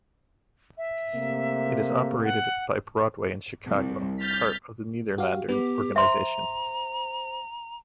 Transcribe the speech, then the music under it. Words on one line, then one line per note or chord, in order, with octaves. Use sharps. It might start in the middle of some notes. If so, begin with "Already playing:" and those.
It is operated by Broadway In Chicago, part of the Nederlander Organization.
E5
C3 A3 A#3
F#5
C2
F6 G6 A6 B6
F#4 G4 F5
B3 G4
C5 E5 A#5 C6